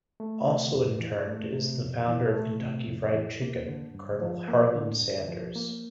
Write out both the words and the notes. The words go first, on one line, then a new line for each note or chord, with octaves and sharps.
Also interned is the founder of Kentucky Fried Chicken, Colonel Harland Sanders.
A3
C3
F2
E3
A3
C3
F2
E3
A3
C3
F2
E3
A#3
D3
G2
F3
A#3
D3
G2
F3
A#3